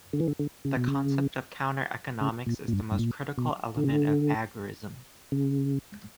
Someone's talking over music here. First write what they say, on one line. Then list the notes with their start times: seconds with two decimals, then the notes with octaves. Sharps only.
The concept of counter-economics is the most critical element of agorism.
0.13 D3
0.20 E3
0.28 D3
0.39 D3
0.65 C#3
0.77 B2
0.87 C#3
2.21 C#3
2.46 A#2
2.68 A#2
2.73 G2
2.91 G2
2.99 A#2
3.38 B2
3.77 D3
3.84 C#3
3.92 D3
5.32 C#3